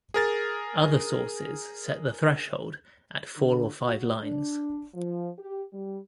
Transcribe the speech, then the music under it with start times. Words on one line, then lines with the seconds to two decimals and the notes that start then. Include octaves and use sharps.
Other sources set the threshold at four or five lines.
0.14 G#4 A#4 A6
3.37 D3
3.82 F#4
4.21 D4
4.94 F3
5.38 G4
5.73 G3